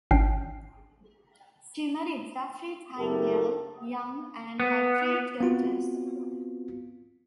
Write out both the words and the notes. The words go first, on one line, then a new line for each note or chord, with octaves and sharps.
She married Geoffrey Tyndale Young, and had three daughters.
G#1 C#4 D4 G5 C7 D7
F#1 A3 G4 A4 A#4
B3
B3 C4 F4 F#4